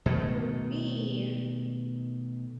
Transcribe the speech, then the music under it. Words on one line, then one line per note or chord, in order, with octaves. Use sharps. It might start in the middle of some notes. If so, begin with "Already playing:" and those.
For me,
B2 D#3 A3